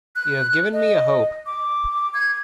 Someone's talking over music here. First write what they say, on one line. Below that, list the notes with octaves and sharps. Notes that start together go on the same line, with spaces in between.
You have given me a hope.
F#6
D#5
D6
G#6